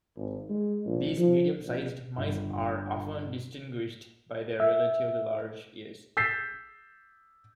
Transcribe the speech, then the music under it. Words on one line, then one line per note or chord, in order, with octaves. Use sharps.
These medium-sized mice are often distinguished by their relatively large ears.
G#1
G#3
A#1
F3
A#1
G1
E5
E6 G6 A6 B6 C7